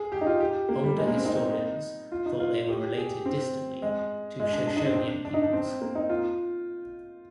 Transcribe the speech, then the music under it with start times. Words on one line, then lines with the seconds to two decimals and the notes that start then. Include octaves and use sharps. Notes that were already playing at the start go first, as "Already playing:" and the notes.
Older historians thought they were related distantly to Shoshonean peoples.
Already playing: G#4
0.12 G4
0.21 D#4
0.27 F4
0.40 G4
0.69 A#3
0.84 G3
0.98 G#3
1.07 A#3
1.17 C4
1.26 D#4
2.12 F4
2.26 D#4
2.40 F4
2.68 G4
2.97 G#4
3.06 G4
3.25 C4
3.82 G#3
4.40 G#3
4.53 D4
4.67 D4
4.77 D#4
4.86 C4
4.96 D4
5.25 D4
5.34 D#4
5.43 D4
5.53 C4
5.81 A#3
5.95 D#4
6.09 F4